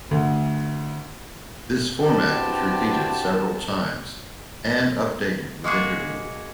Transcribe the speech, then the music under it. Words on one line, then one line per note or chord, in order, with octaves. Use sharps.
This format is repeated several times and updated with interviews.
D2
C4 D4 E4 F#4 G4 B4 A5
G#3 A#3 F#4 G#4